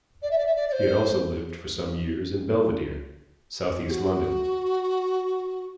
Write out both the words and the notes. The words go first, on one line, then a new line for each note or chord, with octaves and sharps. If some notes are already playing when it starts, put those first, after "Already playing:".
He had also lived for some years in Belvedere, South East London.
D5
E5
D5
E5
D5
D5
C5
G#4
F#4